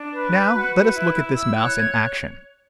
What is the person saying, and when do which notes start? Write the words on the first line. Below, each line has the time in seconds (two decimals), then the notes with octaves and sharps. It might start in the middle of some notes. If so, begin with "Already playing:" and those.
Now let us look at this mouse in action.
Already playing: D4
0.12 B4
0.33 B4
0.53 F#4
0.74 B4
0.94 E4
1.15 E4
1.35 E4 E6
1.56 C#5 F#6
1.77 C#5 G#6
1.90 F#6